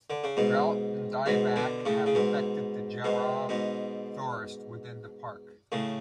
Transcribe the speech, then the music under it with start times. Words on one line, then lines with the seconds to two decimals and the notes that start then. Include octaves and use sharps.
Drought and dieback have affected the jarrah forest within the park.
0.10 D3
0.24 C#3
0.37 G#2 B2
1.26 G#2 B2
1.56 B2 D3
1.85 A2 C#3
2.06 C#3
2.15 G#2 B2
3.04 G#2 B2
3.49 G#2 B2
5.72 A2 C#3